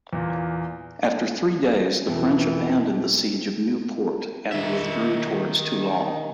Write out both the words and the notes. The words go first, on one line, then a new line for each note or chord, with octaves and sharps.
After three days the French abandoned the siege of Nieuwpoort and withdrew towards Toulon.
E2 A#2
F2 B2 E3
D#3 E5